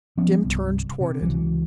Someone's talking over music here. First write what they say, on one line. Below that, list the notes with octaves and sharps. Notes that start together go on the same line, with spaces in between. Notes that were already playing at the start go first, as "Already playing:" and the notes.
Jim turned toward it.
F3 B3 C#4
G1 C2
C3
C#2 E3 F#3